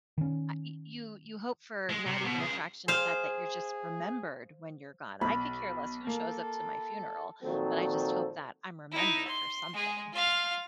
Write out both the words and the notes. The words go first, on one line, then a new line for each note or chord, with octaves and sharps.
uh, y you, you hope for not even a fraction of that, that you're just remembered when you're gone. I could care less who shows up to my funeral, but I just hope that I'm remembered for something, so.
D#3 C#4
G#3
C3
B2
C#2 G#4
G#4 C5 F5
B1 B5
A#3 A4
A#2 D#3 F3 F#3 C4 A4
D#4 E4
C6
G#3 G#4
F4 F5